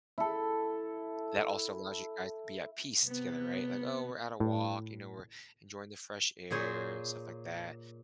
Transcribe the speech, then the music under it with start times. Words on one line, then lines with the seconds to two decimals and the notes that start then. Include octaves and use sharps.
That also allows you guys to be at peace together, right, like, "Oh, we're at a walk." You know, "We're enjoying the fresh air," stuff like that.
0.18 E4 A4
3.04 C3 B3
4.40 A2
6.50 A#2 G#4 C5 C#5